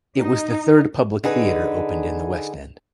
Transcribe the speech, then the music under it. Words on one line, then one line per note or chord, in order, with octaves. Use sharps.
It was the third public theatre opened in the West End.
D#4
D3 D#4 G#4 B4